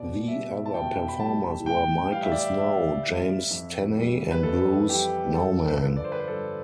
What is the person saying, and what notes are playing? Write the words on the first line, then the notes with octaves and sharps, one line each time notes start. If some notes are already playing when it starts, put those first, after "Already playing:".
The other performers were Michael Snow, James Tenney and Bruce Nauman.
Already playing: B2 D5
G3 E5
A5
B2 G5
B5
G3 A5
A2 G5
E3 G3 F5
E5
D5
E5
A2 E5
E3 G3
F2
E3 G3
B4
F2 A4
E3 G3 G4
G2 A4
B4
D3 F3
D5
C5
B4
C5
G2 A4